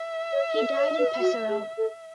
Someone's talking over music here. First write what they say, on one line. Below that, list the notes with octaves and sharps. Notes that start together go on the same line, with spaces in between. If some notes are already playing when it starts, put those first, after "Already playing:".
He died in Pesaro.
Already playing: E5
C#5
A4
C#5
B4
F#4
G#4
A4